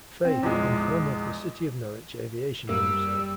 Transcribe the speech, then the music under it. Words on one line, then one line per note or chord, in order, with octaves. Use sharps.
Faith and home of the City of Norwich Aviation Museum.
C4
A#1 E2 F3 G#3
F#2 G3 A#3 E6